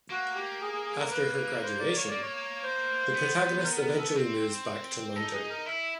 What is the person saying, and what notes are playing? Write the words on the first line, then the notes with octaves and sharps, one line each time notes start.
After her graduation the protagonist eventually moves back to London.
A#3 F#4
G4
G#4
G#4
G#4
A#4
A#3 B4
C5
D5
C#5
A#3 D5
C#5
C5
B3
A#4
A#4
A4
C4
D#4 A4
G#4
A#4
E4 E5